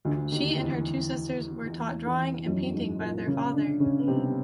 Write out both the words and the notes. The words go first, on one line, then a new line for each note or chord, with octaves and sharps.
She and her two sisters were taught drawing and painting by their father.
D2 D3
D#2 D#3
E2 E3
E2 E3
E2 E3
F#2 F#3
G#2 G#3
A#2 A#3
C#3 C#4
D3 D4
C#3 C#4
B3
C3 C4